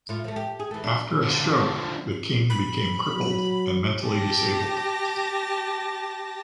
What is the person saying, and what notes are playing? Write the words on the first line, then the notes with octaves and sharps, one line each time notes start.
After a stroke, the King became crippled and mentally disabled.
A2 F4
F3 A3
G4
G#4
E3 A3
D4 F#4
D3 F3
B5
F#3
G4 A5 A#6